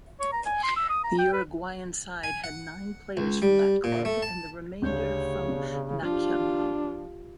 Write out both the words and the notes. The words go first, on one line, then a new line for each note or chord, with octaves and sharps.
The Uruguayan side had nine players from that club and the remainder from Nacional.
C#5
A#5
G#5
C6
E6
D#6
A#5
G5
B4
G#5
F#5
C#2
G3
A#2
A3
A5
D2 C#3 D4 G4 C#5 G6
B2 D4
F3 D4 F4 G4